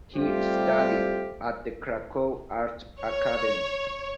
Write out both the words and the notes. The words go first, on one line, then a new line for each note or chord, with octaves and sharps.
He studied at the Cracow Art Academy.
G3 A3 C4 F4 G4
C#5